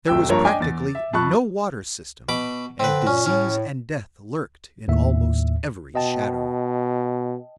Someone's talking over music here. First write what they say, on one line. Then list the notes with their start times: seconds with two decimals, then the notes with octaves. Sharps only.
There was practically no water system and disease and death lurked in almost every shadow.
0.08 D1 C2 G5 E6
0.29 G2 F3 A#3 C#5 A#5
0.45 D4 D#5 G5 G#5 D6
0.60 E2 A6
0.95 E5
1.13 F2 A5 B5 C#6 F#6
2.29 B2 B5 D6
2.80 D3 C4 B4
3.07 A#2 C#4
3.26 A2 C#4
4.88 D#2 A2 E5
5.95 B2 D#5 G5 A5